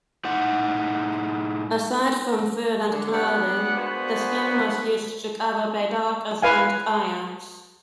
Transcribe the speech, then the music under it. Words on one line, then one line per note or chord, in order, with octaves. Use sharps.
Aside from food and clothing, their skin was used to cover baidarkas and kayaks.
A2 D#4 F#5
D3
G3 B3 D4 D5 F#5
A#3 B3 D4 F#4 G#4 C5
B4 F5 G#5